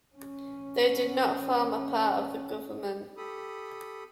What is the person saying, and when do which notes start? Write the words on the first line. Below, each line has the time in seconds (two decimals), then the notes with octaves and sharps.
They did not form a part of the government.
0.15 A1 C#4
3.17 G4 A4 B5 D#6